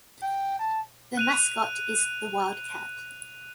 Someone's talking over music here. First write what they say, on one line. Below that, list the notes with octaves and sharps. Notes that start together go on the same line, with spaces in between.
The mascot is the Wildcat.
G5
A5
F#6 D#7 F7